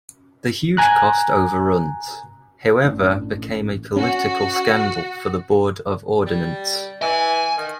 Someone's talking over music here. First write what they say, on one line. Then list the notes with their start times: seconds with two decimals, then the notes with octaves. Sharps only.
The huge cost overruns, however, became a political scandal for the Board of Ordnance.
0.77 G#5 A#5 F#6
2.84 A1 D4
3.96 C#4 F#4
6.26 G3
7.02 E3 G#5
7.57 D#3